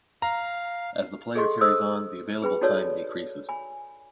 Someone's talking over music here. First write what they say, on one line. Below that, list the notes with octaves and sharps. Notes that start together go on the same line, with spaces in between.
As the player carries on, the available time decreases.
F5 A#5
G#4 A4 D#5 C6 C#6
A4 C5 D#5 D#6 E6
G#4 B4 G5 B5
D#4 F#4 A4 C#5 D5 A5
G#5 B5